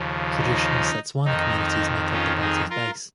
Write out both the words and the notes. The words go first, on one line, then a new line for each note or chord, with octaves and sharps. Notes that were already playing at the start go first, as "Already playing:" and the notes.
Traditional Setswana communities make up the party's base.
Already playing: D#2 C#3 F3
D#4
F2 D#3 D#4
C#4 F4
D#4 G#4
F4 A#4